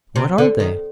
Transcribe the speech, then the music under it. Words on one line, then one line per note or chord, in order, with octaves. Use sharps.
What are they?
C3
D3
D#3